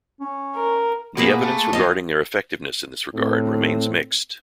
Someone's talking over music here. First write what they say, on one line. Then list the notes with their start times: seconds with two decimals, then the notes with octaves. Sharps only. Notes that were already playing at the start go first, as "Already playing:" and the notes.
The evidence regarding their effectiveness in this regard remains mixed.
0.21 C#4
0.55 A#4
1.17 B2 A#3 G#4 B4
1.42 A3
1.73 F2 D#5 F5
3.13 A2 C4